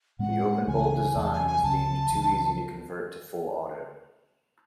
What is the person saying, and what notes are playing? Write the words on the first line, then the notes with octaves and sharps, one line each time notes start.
The open-bolt design was deemed too easy to convert to full auto.
A2 G#3 C4 F#5
C#2 C#3 E3 G#5
E2 C3 E3 C4 A5
G#5
G#5
C#2 C#3 F#3 C#4 A5
C#2 C#3 E3